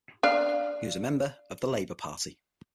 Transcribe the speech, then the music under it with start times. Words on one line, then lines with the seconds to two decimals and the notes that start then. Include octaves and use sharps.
He was a member of the Labour Party.
0.23 D4 F5